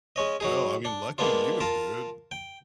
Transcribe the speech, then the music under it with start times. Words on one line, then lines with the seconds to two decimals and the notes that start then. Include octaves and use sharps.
No, I mean, lucky you, dude.
0.16 G#3 C#4 D#5
0.40 F#3 D#4 G#4
0.85 D4
1.18 G#3 A#3 B3 D4 F4
1.60 F4 A#4 A5
2.31 G5